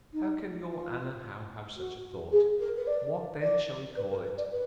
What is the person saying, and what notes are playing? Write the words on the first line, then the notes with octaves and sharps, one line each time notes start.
How can your Anna Howe have such a thought?--What then shall we call it?
D#4
F4
F#4
G#4
A#4
B4
D5
D5
B4
A#4
B4
D5
B4